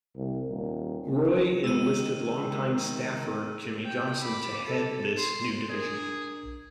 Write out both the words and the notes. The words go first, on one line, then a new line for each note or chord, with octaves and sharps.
Roy enlisted longtime staffer Jimmy Johnson to head this new division.
C2
D#1
D#3 G#3 E6 D#7
G5
B5 D6
A4
C6
D4 G#4 A#4 D5